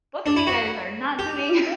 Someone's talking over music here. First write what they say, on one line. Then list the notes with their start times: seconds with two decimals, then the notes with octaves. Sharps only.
both of you guys are not doing you
0.26 D4
0.37 E4
0.47 F#4
1.19 G4